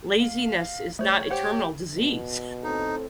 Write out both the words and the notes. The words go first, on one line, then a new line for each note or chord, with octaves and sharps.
"Laziness is not a terminal disease,"
F5
A3 C5 C#5
G4 C5 F#5
B2
A2 C4 D#4 A4